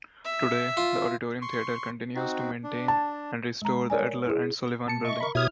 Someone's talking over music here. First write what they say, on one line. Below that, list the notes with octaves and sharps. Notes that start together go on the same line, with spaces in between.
Today, the Auditorium Theatre continues to maintain and restore the Adler and Sullivan building.
E5
F4
C6 C#6
C4 D#4 F#4
D4
A5
G#3 A#5
A#4 C#5 D5 G#5
E4 G#4
B2 A5 C#7
D#5 E5 C#6
A#4 B5
B2 E4 G4 C#5 E5 D#6 F6 G#6